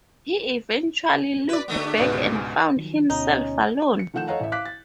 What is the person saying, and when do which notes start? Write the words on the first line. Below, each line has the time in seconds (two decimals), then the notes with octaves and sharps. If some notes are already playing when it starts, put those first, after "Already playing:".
He eventually looked back and found himself alone.
1.49 F#4 B4 D5
1.68 D3 A3 B3
1.84 G#4 D6
1.98 C#2 G#2 B2 B4 D5 F5
2.12 F4 G4 C5
2.35 D4 G#5
2.77 D#3 F3 F#3
3.10 D2 B2 C#4 D#4
3.99 C#7
4.14 D#3 F3 A3 F#5 G6 E7
4.27 A4 C#5 D#5 F5 F#5 A#5
4.40 A1 E5
4.52 F5 D6 F#6 B6
4.65 A6